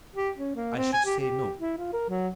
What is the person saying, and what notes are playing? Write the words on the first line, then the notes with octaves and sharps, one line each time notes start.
"I should say no."
G4
C#4
A#3
C4
G#5
G4
G4
E4
F4
A#4
F#3